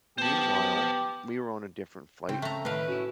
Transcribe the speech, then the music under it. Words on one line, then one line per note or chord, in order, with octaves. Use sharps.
Meanwhile, we were on a different flight.
B3 G4 C5 A5
C#3 C4
A3 A#5
A2 D#3 A3 B4 F5
C#4 E4 F#4